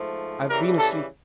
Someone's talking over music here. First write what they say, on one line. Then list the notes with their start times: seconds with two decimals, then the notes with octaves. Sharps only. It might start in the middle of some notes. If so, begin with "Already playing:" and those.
"I've been asleep."
Already playing: G#2 F3 A3
0.49 C#3 E3 G3 A#4
0.78 A4